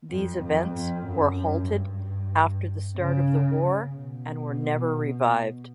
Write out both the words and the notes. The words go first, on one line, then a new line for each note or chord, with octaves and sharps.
These events were halted after the start of the war and were never revived.
F2
F2
F2
F#2
G2
C#3
B2